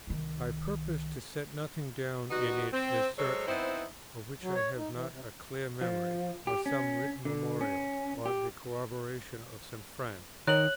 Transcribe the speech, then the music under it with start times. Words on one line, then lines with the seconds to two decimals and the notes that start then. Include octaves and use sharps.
I purpose to set nothing down in it as certain, of which I have not a clear memory, or some written memorial, or the corroboration of some friend.
0.07 C2 D#3
2.30 G3 B3 D#4 F#4
2.73 C4
3.18 F#3 G#3 A4 C5 C#5
3.47 B3 C4 D#4 E4 C5
4.42 F#3
4.55 C#5
4.77 D#4
4.92 E3
5.11 C3
5.81 F3
6.47 G4
6.66 C#4
7.25 D3
7.61 C#4
8.26 G4
10.47 D#3 D#4 A#4 C#5 F#6 F#7